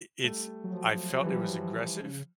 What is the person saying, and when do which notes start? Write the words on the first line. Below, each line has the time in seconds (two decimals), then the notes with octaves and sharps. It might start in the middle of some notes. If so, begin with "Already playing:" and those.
it's I felt it was aggressive.
0.24 G3 A3
0.64 F3 F#3
1.23 E3 G3
2.00 C#3